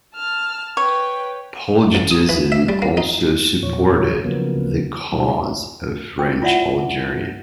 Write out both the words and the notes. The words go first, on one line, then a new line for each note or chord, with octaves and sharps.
Poujadism also supported the cause of French Algeria.
A5 F6
B4 C#5 G5
A1
D#6
E3
E5
G3
A#3
D#4
E2 A#2 F3 C#5
C#3 F3 F#3 A#3 B3
B2 F#3 G3 E4
A#4 G5
E4 F4 D5 E5 F#5